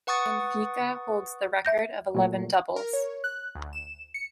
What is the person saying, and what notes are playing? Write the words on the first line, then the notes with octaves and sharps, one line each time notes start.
Benfica holds the record of eleven Doubles.
B4 F#5 C#6 D#6 A6
E5 G6 A#6
A#2 F#3 A3
A#4
C#5
F#6
D2
E7
C#7